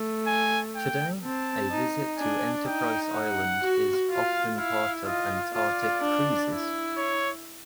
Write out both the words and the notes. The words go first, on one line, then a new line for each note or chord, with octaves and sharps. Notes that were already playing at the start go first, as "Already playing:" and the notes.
Today, a visit to Enterprise Island is often part of Antarctic cruises.
Already playing: A3
G#5
G5
C4 A5
D#4
D4 G#5
D#4 G5
F#5
F#4
F4 F5
E4 F5
F4 D#5
F4 D5
D4
E4
C#5